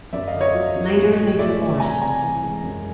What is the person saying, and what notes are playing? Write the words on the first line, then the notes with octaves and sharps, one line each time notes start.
Later they divorced.
F#2 D5 E5
D#5 F5
D3
C#5 D#5
F#3
F#2
A2
F3
A3 D5 E5
A2
C2 G#5 A#5
C3 G#5 A#5
E3
G#3
F#2